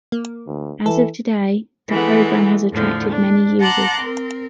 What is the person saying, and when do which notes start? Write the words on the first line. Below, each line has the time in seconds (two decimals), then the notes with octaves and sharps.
As of today, the program has attracted many users.
0.12 A#3
0.46 D2
0.86 E3 A4
1.88 E3 G#3 A3 B3
2.71 E2 A2 D3 F3
3.09 D4
3.60 F#5 A5 A#5 C6 D6 F#6
4.00 C4 A#4